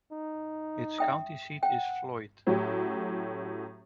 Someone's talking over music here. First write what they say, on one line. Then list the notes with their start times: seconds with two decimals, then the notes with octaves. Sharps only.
Its county seat is Floyd.
0.12 D#4
0.98 E5 G5 D#6
1.63 F#5 G5
2.47 A2 F#3 C#4 F#4 G4